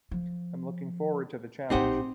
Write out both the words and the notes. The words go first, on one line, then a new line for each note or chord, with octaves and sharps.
I'm looking forward to the challenge.
F3
A#1 A2 C4 D#4 G4 G#4 C5 F#5